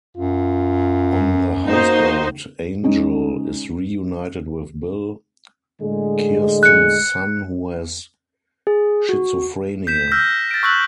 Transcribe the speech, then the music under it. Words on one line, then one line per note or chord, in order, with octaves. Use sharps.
On the houseboat, Angel is reunited with Bill, Kirsten's son who has schizophrenia.
F#2 F4
A#3 D#4 F#4 C5
G#3 C#4 D#4
A2 D3 G#3
F#6 C#7
G#4
F#4
G6 B6 E7
E6 F6 G6 A#6
A6 D7
C#6 E6 F#6 B6 F#7